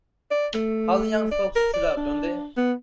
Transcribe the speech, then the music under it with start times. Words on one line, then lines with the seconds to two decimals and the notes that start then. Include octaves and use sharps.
How the young folk shoot up, don't they?
0.31 D5
0.55 A3
1.31 D5
1.56 A#4
1.74 D5
1.97 D4
2.57 B3